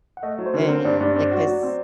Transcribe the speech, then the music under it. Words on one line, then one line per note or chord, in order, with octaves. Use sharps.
And, like, his
F#5
A3 D#5
F#3
C5
D3 A#4
C4 A#4
G2 D5
G2 D5
C4 D5
F#4
F#3
C4